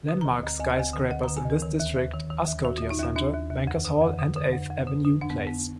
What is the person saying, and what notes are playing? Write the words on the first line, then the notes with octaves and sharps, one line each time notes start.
Landmark skyscrapers in this district are Scotia Centre, Bankers Hall, and Eighth Avenue Place.
D3 B4
A#5
D2
D2 A#5
D2 G#5
F#5
D2 G#5
D3
D2 F#5
A#5
D3
G#5
D2 A#4
D#3
D#2
D#2
D#3
D#3
D#2
D#2 F#4
F4
D#2
D#4
D#2 F4
D#2 D4
D#2
D#2
F2
D3
F2
D3
D3
F2
F2
D3
D3
F2 D4
B3
F2
B3